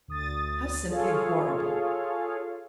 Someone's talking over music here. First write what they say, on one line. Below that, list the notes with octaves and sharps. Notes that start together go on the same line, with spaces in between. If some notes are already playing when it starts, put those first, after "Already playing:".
'How simply horrible!'
D2 D#6 A6
F4 G#4 A4 C#5 F5